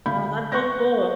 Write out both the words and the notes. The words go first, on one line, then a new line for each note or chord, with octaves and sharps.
Oh, that's so cool.
D2 F5 B5 G6
C6 C#6 F#6 G6 A#6